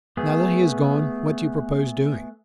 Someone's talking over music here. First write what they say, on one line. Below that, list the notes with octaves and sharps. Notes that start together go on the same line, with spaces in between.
"Now that he has gone, what do you propose doing?"
A3 B3 G#4